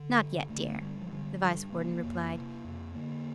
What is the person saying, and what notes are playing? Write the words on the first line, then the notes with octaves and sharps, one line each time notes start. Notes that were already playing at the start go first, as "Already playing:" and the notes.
"Not yet, dear," the Vice-Warden replied.
Already playing: D3
G2
D3 A3
G2 G3
F3
D3 G3
G2
C3 A#3
F2
C3
F2
D3 A#3